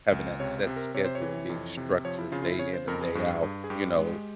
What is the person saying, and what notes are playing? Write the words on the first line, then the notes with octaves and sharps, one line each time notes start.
Having that set schedule and being structured day in and day out, you know,
C#2
C3 C#5
C3
A#4
C3 C#5
C5
C#5
E3
F2
C3
F3 C#5
E4
C#3 F4
F4
E4
C#3 C#5
C5
F2 A#4
G#4
G2
G2
G#4
G2 G4
G#3